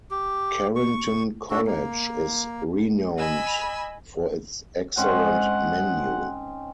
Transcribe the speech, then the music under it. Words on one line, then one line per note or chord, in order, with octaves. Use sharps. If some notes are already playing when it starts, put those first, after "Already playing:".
Carrington College is renowned for its excellent menu.
G4
C#6
D4 F#4 A4
A#3
D#5 G#5 B5 E6
G#2 C4 C#4 F#5